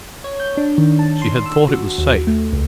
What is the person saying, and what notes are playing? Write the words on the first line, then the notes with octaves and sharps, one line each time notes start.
She had thought it was safe.
C#5
G6
D4
D#3
A5
C6
E6
F#4
D#2
A3
C#2